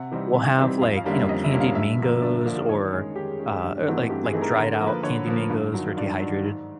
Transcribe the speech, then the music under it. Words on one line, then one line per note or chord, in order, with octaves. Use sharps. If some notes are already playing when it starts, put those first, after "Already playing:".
we'll have like, you know, candied mangoes or, uh or like, like dried out candy mangoes or dehydrated,
Already playing: C3 F#5
E3 G3 C4 D#4
C3
E3 G3 C4 D#4
F2 F5
F5
D3 G3 A#3 C#4
E5
F2 D#5
E5
D3 G3 A#3 C#4
F5
G2 E5
D3 F3 A#3
G2 D5
D3 F3 A#3
D#3 C#5
G#3 C#4 G#4
D#3 G4
G#3 C#4
G2 G4
E3 A3 C4 D#4 F#4
G2 G4
G#4
E3 A3 C4 D#4
A#4
D3 A#4
A4
F3 A#3
B4
D3 C#5
F3 A#3
G2
D#3 F#3
G2 D5
D#3 F#3
G#2